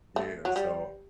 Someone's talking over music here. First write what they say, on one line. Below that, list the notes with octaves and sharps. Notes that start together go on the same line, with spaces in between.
Yeah, so
A3
F#3
G3